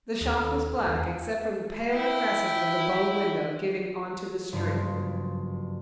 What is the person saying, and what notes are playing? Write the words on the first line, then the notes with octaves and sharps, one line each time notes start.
The shop was black except for the paler crescent of the bow window giving onto the street.
D#2 A4
F#5
E2 F5
E4 G5
F#1 G2 F3 F4